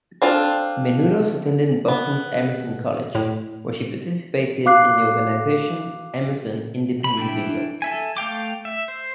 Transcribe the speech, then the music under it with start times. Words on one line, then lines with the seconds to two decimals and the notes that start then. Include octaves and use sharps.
Menounos attended Boston's Emerson College, where she participated in the organization Emerson Independent Video.
0.22 C4 D4 F4 A4
1.88 B3
3.15 A2
4.65 F#4 F5 D6 F#6 C7
7.04 B5
7.17 E3 D4 E4 G5
7.82 A4 E5 G#5
8.17 A3 F5 G5 D6
8.65 E5
8.88 C5